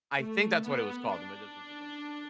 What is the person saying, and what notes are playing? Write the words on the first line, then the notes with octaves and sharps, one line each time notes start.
I think that's what it was called, "The Magician's Apprentice." Yes,
A3
B3
D4